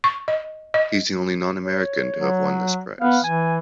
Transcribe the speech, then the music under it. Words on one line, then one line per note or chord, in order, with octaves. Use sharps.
He's the only non-American to have won this prize.
C#6
D#5
D#5
C#5
F#3
B3 F5
E3 G#5